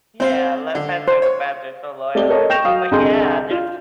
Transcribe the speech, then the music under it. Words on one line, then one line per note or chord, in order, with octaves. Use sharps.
Yeah, le pets are the best. They're so loyal and everything. But yeah, just
C4 C5 F5
D3
C5
C#5
A3 C4 G4 D5 D#5 G7
A4 A#4 C#5 D#5
G5 C#6 G6 A#6 E7 F7
F#3 F5 D#6
C2 D3 G#4 D#5 C6 G6
F4